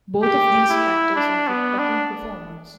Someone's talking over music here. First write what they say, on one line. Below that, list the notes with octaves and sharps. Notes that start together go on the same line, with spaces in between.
Both of these factors affect packing performance.
G4
E4
D4
B3
D4